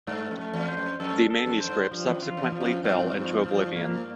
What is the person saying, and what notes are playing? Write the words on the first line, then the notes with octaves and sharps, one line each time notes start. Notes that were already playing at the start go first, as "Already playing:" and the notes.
The manuscript subsequently fell into oblivion.
G2 A3
F2
A3
E2
C5
F2
F2 A4
A4
F2
F2 C5
G2
G2 F3
E2
F2
F4
E2
F3
F2
G2 C4
F3
F3
A#3